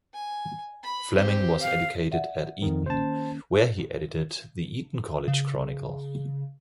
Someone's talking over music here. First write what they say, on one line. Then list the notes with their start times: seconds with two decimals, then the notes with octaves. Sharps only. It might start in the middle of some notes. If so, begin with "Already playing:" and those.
Fleming was educated at Eton, where he edited the "Eton College Chronicle".
0.14 G#5
0.83 B5
1.13 C4 G4
1.61 F5
2.11 D5 E5 F#5
2.62 F2 D#3
2.86 D#3 A#3 C#4 C5 A5
5.28 C#3